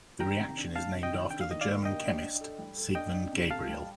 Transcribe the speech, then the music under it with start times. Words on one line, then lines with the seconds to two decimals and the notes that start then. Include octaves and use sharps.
The reaction is named after the German chemist Siegmund Gabriel.
0.20 D#3 G5 A#5
0.40 C3
0.57 D4
0.76 D4 F5 A5
0.94 C3
1.03 D#5 G5
1.12 D#3
1.30 D4 G5
1.41 F5
1.49 D#3 D#5
1.61 D5 F5
1.68 A#3
1.85 D4 D#5 G5
2.04 D4
2.22 D4
2.41 A4
2.59 G3
2.77 A4
2.95 D4 D#5 G5
3.13 D4
3.32 C3
3.50 A4 F5 A5
3.69 G3